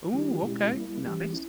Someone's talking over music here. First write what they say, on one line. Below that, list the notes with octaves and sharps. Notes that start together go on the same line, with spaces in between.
Ooh, okay, nice.
D#3 G3 C#4 E4 G4
B2 G#3 C#4 E4 G4
G3 A#3 E4
E3 G3 C#4 G4
C#4 E4